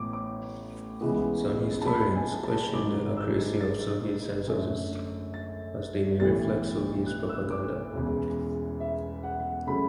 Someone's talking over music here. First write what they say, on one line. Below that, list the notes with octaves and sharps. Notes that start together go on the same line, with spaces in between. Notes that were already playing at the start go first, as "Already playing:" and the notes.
Some historians question the accuracy of Soviet censuses, as they may reflect Soviet propaganda.
Already playing: A1 A2 B3 D6
D6
C#2 C#3 E3 G#3 B3
A5
B5
G#5
A5
G#1 G#2 F#3 D6
E6
A6
F#2 D3 A3
A6
B1 A2 E3 A3 A6
F#6
E6
D6
E1 E2 C#3
E5
F#5
C#3 F#3 A3 C#4 B5